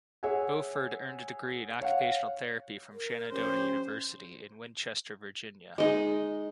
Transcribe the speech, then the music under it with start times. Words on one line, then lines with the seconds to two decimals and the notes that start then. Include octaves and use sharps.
Beauford earned a degree in Occupational Therapy from Shenandoah University, in Winchester, Virginia.
0.23 G#4 C#5 E5 F#5 G#5
1.81 C#5 F5 F#5
2.92 A#4
3.32 D2 F3 C#4 G4 C5
5.78 G#3 D#4